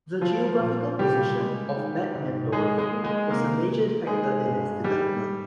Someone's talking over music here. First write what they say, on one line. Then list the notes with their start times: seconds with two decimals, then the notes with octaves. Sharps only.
The geographical position of Bad Nenndorf was a major factor in its development.
0.21 F3 F4
0.60 A#2
0.99 C#3 G3 G4
1.38 G#3
1.77 D#3
2.15 G#2
2.52 D#3 G#3 G#4
2.78 G#3 G#4
2.91 A#3
3.04 G#3 G#4
3.30 C3 A#3 A#4
3.69 A#3
4.07 D#3 G#3 G#4
4.46 G2
4.84 D#3 G3 G4